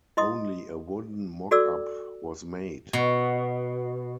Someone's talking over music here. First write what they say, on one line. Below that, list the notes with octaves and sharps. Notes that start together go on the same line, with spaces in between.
Only a wooden mock-up was made.
E4 D#5 C6 D#6
F#4 A4 D5 D6 E6
B2